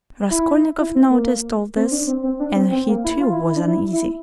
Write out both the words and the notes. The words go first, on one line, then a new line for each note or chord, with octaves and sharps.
Raskolnikov noticed all this, and he too was uneasy.
E4
E4
C4
A#3
C4
D4
C4
C4
D4
C4
C4
A#3
E4
F4
E4
E4
D4
E4
E4